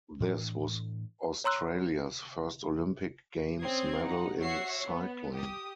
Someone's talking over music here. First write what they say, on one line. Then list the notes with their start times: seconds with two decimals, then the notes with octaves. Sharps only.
This was Australia's first Olympic Games medal in cycling.
0.20 A2 E3 D4
1.44 C#5 A#5 C6 E6 F#6
3.62 C4 C#4 D#6 G#6 C7
4.00 D#4 F#5
4.40 F#4 C#5 E5 F#5 C7 C#7
4.87 B3
5.34 G4 D#6